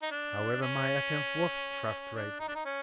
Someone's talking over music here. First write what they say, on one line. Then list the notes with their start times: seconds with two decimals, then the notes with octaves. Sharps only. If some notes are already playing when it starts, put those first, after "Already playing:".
However, my attempt was frustrated.
0.02 D#4
0.11 D4
0.62 C#4
2.15 D4
2.40 D#4
2.48 D4
2.55 D#4
2.65 C#4